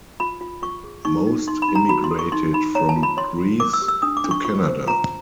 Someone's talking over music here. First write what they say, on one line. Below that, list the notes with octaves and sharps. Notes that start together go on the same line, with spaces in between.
Most immigrated from Greece to Canada.
F4 B5
F4
F4 C#6
G#4
D#4 C#6
D#4
D#4 C6
B5
D#4
A#5
F#4 B5
C6
A4
C#6
D#4 C6
D#4 B5
C#5 A#5
A5
F4
B5
C#5 C6
F4
A#4 D6
E6
G4
E6
D4 D#6
D6
D4
C#6
F4 C#6
C5
F4 A#5